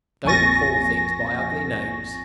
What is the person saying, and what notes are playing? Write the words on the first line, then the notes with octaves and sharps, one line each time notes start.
"Don't call things by ugly names."
A#1 F2 G#5 C#6 A6 A#6